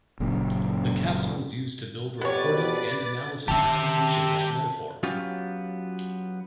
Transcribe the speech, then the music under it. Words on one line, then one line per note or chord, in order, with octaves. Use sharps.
The Capsule was used to build reporting and analysis applications at Metaphor.
F#1 F#2 A#2
F2 B2 B3 G4 B4 C#5 D5 A6
D3 D#3 G4 E5 A5
F#3 B3 C#4 F4 G4